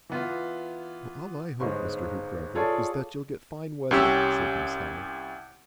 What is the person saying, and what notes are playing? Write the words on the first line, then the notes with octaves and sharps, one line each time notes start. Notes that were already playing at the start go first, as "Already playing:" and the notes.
"Well, all I hope, Mr. Hoopdriver, is that you'll get fine weather," said Miss Howe.
E3 B3 F4
G1 G#2 G#3
F4 G#4 A4 C#5 D5
C2 C#4 G4 E6